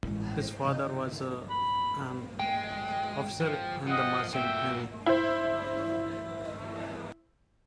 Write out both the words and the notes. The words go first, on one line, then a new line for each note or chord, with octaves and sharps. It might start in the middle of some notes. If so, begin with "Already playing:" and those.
His father was an officer in the Merchant Navy.
A1 G#3
C#3
B5
G#3 G5
F3
F3 D#5 F#5
A#2 F#4 E5 G5
E4 C5